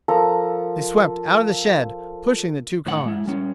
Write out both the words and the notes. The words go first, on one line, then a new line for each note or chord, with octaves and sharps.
They swept out of the shed, pushing the two cars.
F3 A4 A#4 A#5
A2 E3 C#4 F#5
G#3 E4
G3 C#4